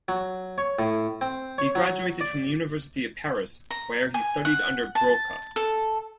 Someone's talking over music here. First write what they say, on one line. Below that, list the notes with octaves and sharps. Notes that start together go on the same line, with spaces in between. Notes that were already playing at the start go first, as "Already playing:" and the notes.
He graduated from the University of Paris where he studied under Broca.
F#3
C#5
A2
C4
C#5
F#3
D5
A#5
G#5
F#5
A5
A4